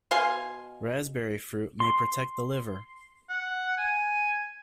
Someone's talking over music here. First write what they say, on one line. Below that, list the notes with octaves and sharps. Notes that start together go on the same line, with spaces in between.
Raspberry fruit may protect the liver.
B2 F5 G#5 C6
C6
F#5
G#5